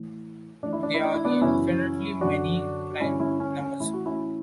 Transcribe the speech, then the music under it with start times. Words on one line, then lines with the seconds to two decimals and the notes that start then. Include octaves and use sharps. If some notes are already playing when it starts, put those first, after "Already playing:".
There are infinitely many prime numbers.
Already playing: A2 E3
0.62 A2 E3 D4
0.73 E4
0.83 D4
0.94 E4
1.04 D4
1.14 E4
1.24 B3 D4
1.42 F#2 C#3 E3 C#4 E4
2.21 F#2 D3 D4 F#4
2.91 F#4
3.00 G2 D3 C#4 E4
3.20 C#4 E4
3.40 C#4
3.59 C#4
3.80 A2 E3 E4
3.93 F#4
4.06 C#4 E4